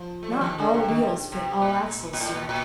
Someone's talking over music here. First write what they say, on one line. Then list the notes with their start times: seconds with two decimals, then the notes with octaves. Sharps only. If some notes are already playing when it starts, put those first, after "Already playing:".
"Not all wheels fit all axles, sir."
Already playing: F3
0.23 A3
0.31 G3
0.41 F3
0.49 D#3
0.58 D3
0.74 C3
0.88 D#3
1.02 C3
1.32 C3
1.62 A#2
2.13 A#2
2.20 A2
2.35 A#2
2.49 A#2